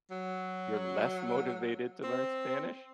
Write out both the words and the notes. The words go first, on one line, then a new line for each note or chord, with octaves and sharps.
you're less motivated to learn Spanish?
F#3
C4